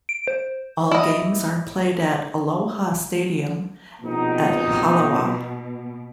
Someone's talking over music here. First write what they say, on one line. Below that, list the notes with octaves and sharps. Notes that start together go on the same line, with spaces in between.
All games are played at Aloha Stadium at Halawa.
D7
C5
E4 D#5
A#1 B2 C4 D#4